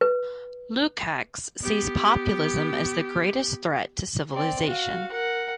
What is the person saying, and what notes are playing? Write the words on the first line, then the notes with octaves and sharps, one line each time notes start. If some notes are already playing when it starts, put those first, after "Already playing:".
Lukacs sees populism as the greatest threat to civilization.
B4
B3 G4
C4 D5
F#4 F5
A#4 F#5